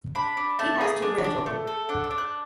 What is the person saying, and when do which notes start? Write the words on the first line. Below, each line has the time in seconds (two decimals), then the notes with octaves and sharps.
He has two grandchildren.
0.15 D4 B5
0.37 D4
0.59 A3 A5
0.81 G#4
1.02 D4
1.24 D4
1.46 A3
1.67 A4
1.89 D4 F#5
2.04 E6
2.11 D4
2.18 F#6